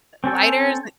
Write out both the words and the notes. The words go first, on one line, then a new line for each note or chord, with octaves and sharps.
lighters and
C4 C#4 A4 G5